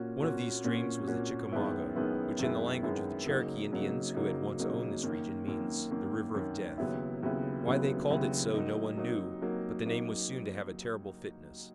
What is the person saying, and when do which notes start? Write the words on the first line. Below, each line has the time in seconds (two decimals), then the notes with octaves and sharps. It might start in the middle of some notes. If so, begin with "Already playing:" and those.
One of these streams was the Chickamauga, which in the language of the Cherokee Indians who had once owned this region means "the river of death." Why they called it so no one knew, but the name was soon to have a terrible fitness.
Already playing: A#2 A#3 C#4 F#4
0.20 A#2 A#3 C#4 F#4
0.64 A#2 A#3 C#4 F#4
1.07 A#2 A#3 C#4 F#4
1.52 F#2 D#3 G#3 B3 E4
1.95 F#2 D#3 G#3 B3 E4
2.39 F#2 D#3 G#3 B3 E4
2.83 F#2 D#3 G#3 B3 E4
3.27 C#3 F#3 A#3 D#4
3.72 C#3 F#3 A#3 D#4
4.14 C#3 F#3 A#3 D#4
4.59 C#3 F#3 A#3 D#4
5.03 F#2 D#3 A#3
5.47 F#2 D#3 A#3
5.91 F#2 D#3 A#3
6.35 F#2 D#3 A#3
6.78 D#2 C#3 F#3 B3 E4
7.23 D#2 C#3 F#3 B3 E4
7.67 D#2 C#3 F#3 B3 E4
8.10 D#2 C#3 F#3 B3 E4
8.54 F#3 A#3 D#4
8.98 F#3 A#3 D#4
9.42 F#3 A#3 D#4
9.86 F#3 A#3 D#4